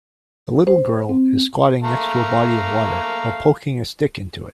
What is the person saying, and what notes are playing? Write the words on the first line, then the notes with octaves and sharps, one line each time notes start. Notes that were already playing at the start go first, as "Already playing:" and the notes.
A little girl is squatting next to a body of water while poking a stick into it.
C5
C4
A3 F5 A#5